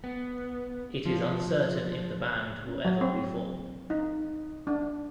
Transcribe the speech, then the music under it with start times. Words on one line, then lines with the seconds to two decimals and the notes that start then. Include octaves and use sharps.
It is uncertain if the band will ever reform.
0.04 B3
1.05 F3
2.68 C#4
2.85 F#3
3.01 C4
3.90 D#4
4.67 D4